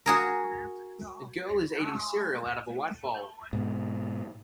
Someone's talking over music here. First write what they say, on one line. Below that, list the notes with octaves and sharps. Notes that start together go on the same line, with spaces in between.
A girl is eating cereal out of a white bowl.
F#4 G#4 A#4
G#2 B2